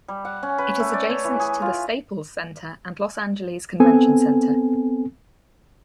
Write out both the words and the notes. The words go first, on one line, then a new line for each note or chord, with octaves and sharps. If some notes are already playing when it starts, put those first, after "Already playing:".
It is adjacent to the Staples Center and Los Angeles Convention Center.
G3
F#5
C#4
B4
A3
D5
C#5
E3
G#4
F4
B3 C4 A4 G#5